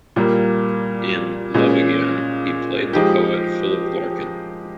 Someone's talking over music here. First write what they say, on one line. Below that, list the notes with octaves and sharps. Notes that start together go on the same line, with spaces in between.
In "Love Again", he played the poet Philip Larkin.
A#2 G3 A#3
A#2 G#3 C#4
F3 G#3 D#4 G4